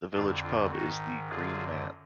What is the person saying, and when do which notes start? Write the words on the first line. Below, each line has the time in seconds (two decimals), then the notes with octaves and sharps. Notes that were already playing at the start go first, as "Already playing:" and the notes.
The village pub is the "Green Man".
0.14 F2 D3 D4 F4
0.43 D4 F4
0.72 G#2 D#3 D#4 F#4
1.29 F#2 D3 F4 G#4